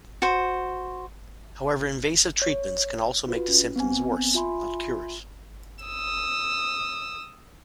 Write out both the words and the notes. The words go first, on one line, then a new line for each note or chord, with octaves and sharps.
However invasive treatments can also make the symptoms worse, not cure it.
F#4 C5
C#5
F4 F#4 B4
C#4
B3 C4 G#5
F4 E5 G#5 B5 C6
D#6 E6